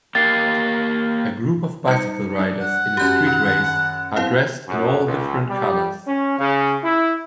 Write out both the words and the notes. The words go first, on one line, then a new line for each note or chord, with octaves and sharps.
A group of bicycle riders in a street race are dressed in all different colors.
A#3 G4 A6 C7
G3 D#4 C#7
D4
F#5
F#2 F#4 G4 B5 G6
D#3
B3 C4 E4 F5
F#2
C#2
G3
C#4
C#3
E4